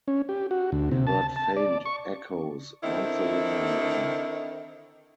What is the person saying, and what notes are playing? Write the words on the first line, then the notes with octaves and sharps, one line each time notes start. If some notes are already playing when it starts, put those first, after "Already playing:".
He heard faint echoes answering them.
C#4
G4
F#4
D2
C3
A5
A5
D5
C#6
D3 D#3 C4 E4